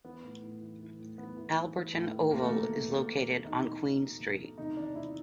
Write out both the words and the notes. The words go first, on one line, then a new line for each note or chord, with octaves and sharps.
Alberton Oval is located on Queen Street.
E3 B3
A2
A2
E3
E3
A2
E3 B3
E3
E3
E3
A2
E3
B2 A#3
A3
B2 A#3
B2
B2
B2
B2
B2 D#4
B2
B2
B2
B2
B2
C3 D#4
D#3 D4
C3 E4